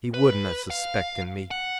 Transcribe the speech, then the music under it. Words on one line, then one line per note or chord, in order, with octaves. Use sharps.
He would’n ha’ suspect’n me.
B4
F5
F#5